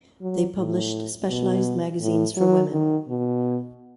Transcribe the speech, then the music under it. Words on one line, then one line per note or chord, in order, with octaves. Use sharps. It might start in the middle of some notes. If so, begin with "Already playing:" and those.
They published specialized magazines for women.
F#3
A2
B2
A2
F#3
D#3
B2